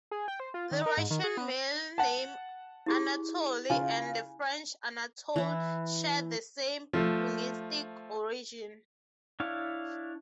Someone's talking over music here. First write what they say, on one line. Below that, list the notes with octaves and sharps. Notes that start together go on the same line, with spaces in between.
The Russian male name Anatoly and the French Anatole share the same linguistic origin.
G#4
G5
C5
F4
D#3
A#4
G#2
D#3
G#4
B3
F#5 A5
E4 G4 G#4
C#3 F4 G#5
E3 E4
F3 A3
D4 E4 C#5 F5